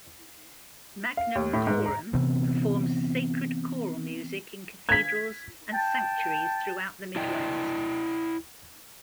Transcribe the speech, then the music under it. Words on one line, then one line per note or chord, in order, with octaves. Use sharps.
Magnum Chorum performs sacred choral music in cathedrals and sanctuaries throughout the Midwest.
F5
D#2
A2
G#2
A#5
C3 E3 B3 C4
G#6 B6
G5 A5
E4 D5 D#5 G5